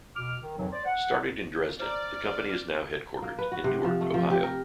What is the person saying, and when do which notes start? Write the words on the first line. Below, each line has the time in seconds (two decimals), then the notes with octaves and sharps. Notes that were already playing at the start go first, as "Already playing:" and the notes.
Started in Dresden, the company is now headquartered in Newark, Ohio.
0.16 B2 D6 F6
0.41 D#3
0.57 F2 G#2 C3 D#3 E3 F#3
0.72 C5 D5
0.85 F#5
1.80 C5 D5 A#5 F6
3.22 A#3
3.39 B4
3.52 F#4
3.64 C3
3.84 F3
4.01 A3
4.14 F3
4.30 G4
4.44 A#4